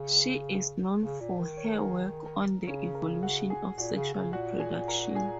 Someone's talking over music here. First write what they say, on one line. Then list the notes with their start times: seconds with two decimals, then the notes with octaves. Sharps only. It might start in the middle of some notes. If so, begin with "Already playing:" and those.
She is known for her work on the Evolution of sexual reproduction.
Already playing: C#3
1.02 C#3
1.20 A#2
1.39 D#3
1.57 C#5
1.64 A#4
1.72 G#4
1.78 A#4
2.67 C#3 C#4 C#5
2.95 A#4
3.23 F#4 F#5
3.50 G#4 G#5
3.78 A#2 F#4 F#5
3.96 C#3
4.14 C#3
4.33 A#2 F#4 F#5
4.60 G#4 G#5
4.88 A#4 A#5
5.15 G#4 G#5